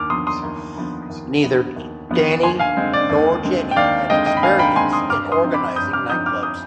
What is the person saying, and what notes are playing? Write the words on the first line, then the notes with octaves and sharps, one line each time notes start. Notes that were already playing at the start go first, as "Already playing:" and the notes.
Neither Danny nor Jenni had experience in organising nightclubs.
Already playing: D#2 D6 F6
D3 F3 B3 C6 D#6
C6 D#6
D#2
D3 F3 B3
D#2
D3 F3 B3
D#2
D3 F3 B3
D#2 G#5 C6
F5 G#5
D3 G#3 C4
D5
D#2
D3 G#3 C4
G5
D#2 D5 F5
D3 G#3 C4 D#5 G5
D#5 G5
B5
D#2 F5 G#5
G5 B5
D3 G#3 C4 G#5 C6
C6 D#6
G2 D6 F6
C6 D#6
D3 F3 C4 D#4
B5 D6
G2 D#6 G6
D6 F6
D3 F3 C4 D#4 D#6 G6
D6 F6
D#6 G6